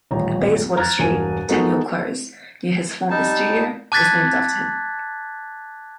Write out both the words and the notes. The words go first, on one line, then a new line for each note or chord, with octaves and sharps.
A Bayswater street, Tenniel Close, near his former studio, is named after him.
D#1 A1 C#5 A#5
A#5 F6 F#6 G#6 A6
E1 G2 A#4 G#5 D#7
G#3 B3 D#4 F#4 A4 A#4
G3 D#4 A5
A5 D6 F#6 G#6 A6 B6